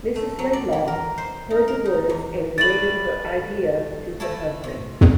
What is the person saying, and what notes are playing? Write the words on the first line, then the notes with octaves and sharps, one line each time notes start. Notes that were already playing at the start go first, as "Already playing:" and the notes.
Mrs Laidlaw heard the words and related her idea to her husband.
A3
F#3
D5
E3
A#4
C5
D#4
A#4
D#4
E2
G3 A3 B4 A6 F#7
A3 E4 A5
C3